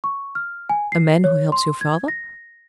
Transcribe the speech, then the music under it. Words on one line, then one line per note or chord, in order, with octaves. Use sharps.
"A man who helps your father?"
C#6
F6
G#5
C7
C#5
C6
G#6
A#6